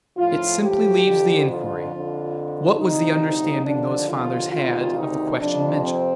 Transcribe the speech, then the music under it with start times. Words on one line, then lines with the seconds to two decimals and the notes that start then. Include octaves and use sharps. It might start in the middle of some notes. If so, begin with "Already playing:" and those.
It simply leaves the inquiry: What was the understanding those fathers had of the question mentioned?
0.17 A2 F3 F4
0.61 G4
1.05 F2 D3 F3
1.48 F4
1.92 F2 D3 F3
2.79 D2 C3 F3 D#4
3.66 D#2 D3 F3 D4
4.09 F4
4.53 D2 C3 D#3 F4
4.96 D#4
5.40 F2 C3 F3 D4
5.84 C4